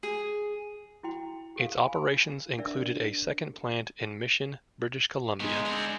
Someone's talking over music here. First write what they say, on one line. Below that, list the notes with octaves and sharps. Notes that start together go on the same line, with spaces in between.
Its operations included a second plant in Mission, British Columbia.
G#4
E4 F#4 G5 C6
G4 A4 F5
G#5 B5
D4 A#4 D5 E5
D#3 G#3 B3
D3 C4